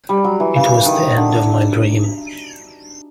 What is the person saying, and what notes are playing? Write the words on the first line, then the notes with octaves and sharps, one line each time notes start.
It was the end of my dream.
G3
F#3
E3
C#3
D#3
D3